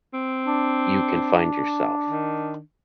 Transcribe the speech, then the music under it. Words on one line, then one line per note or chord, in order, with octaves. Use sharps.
You can find yourself.
C4
D4
D#3